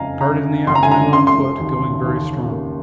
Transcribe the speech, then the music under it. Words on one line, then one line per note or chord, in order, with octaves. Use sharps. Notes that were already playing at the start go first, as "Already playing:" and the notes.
Started in the afternoon on foot, going very strong.
Already playing: F#1 F2 D#5 F5 G#5 A#5
C#3 A#5
F#1 C6
A#5
G#5
A#5
C#3 C6
C6
D#2
D#2
A#3